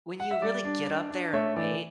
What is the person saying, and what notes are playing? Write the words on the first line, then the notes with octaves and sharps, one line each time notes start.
when you really get up there in weight,
F#5
E5
G3 D5
D4
D4
D4
A3 C#5 E5
E3 D5